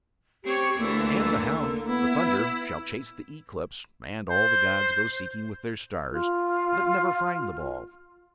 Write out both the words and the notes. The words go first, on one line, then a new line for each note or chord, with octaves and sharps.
And the hound, the thunder, shall chase the Eclipse and all the gods go seeking with Their stars, but never find the ball.
C4 G4 C#5 C#6
D2 D3 E3 A#3
D3
B3 E4
C5
F4 F6